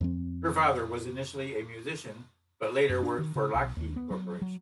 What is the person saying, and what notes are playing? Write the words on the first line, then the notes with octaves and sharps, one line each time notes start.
Her father was initially a musician but later worked for Lockheed Corporation.
F2 F3 C4
F#2
D4
D#3
C#3
B1
D#2
B3
F#3
F#3